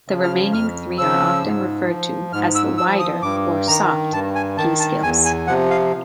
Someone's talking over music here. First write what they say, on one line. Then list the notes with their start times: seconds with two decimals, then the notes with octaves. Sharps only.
The remaining three are often referred to as the 'wider' or 'soft' Key Skills.
0.08 C#3 F3
0.23 F6
0.53 F2 F6
0.98 C#3 F3 E6
1.43 G#2
1.87 F3
2.33 G#2 F6
2.55 E6
2.78 F3 E6
3.00 D#6
3.22 G2 D6
3.68 D#3 A#5
4.12 G2 A5
4.35 G#5
4.58 D#3 A5
4.80 A5
5.03 E2 G#5
5.25 G#5
5.47 C3 F3 F#5
5.70 F5